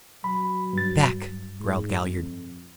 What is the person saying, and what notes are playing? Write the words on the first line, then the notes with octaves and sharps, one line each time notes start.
"Back!" growled Galliard.
F#3 B5
G2 A6
G#2
F2